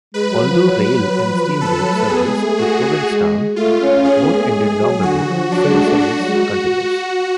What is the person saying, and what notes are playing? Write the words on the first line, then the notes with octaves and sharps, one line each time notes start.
Although rail and steamboat service to Provincetown both ended long ago, ferry service continues.
G#3 B4
F#3
F3
F#3
F#3
F#3
F#3 B4
F3
D3
F3 A4
F#3
A3
B3 G#4
G#3
G#3
A3
F#4
G#3
A3 F4
C#4
C#4 G#4
B3
G#3
A3
G#3
F#3
D3 F#4
F3
F#3 D4
G#3
A3
F#4
F#3
G#3